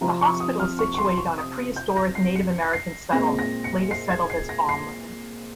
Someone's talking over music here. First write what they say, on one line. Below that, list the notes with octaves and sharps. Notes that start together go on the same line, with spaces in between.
The hospital is situated on a prehistoric Native American settlement later settled as farmland.
C3 F3 C4 A#5
C#6
D#6
F6
C#6
C#6
C6
C6
C#6
D#6
G6
A#6
C7
C#7
A#6
C7
A#2 G#3 C4 A#6
A#6
C#7
C7
G#6
C7
A#6
C7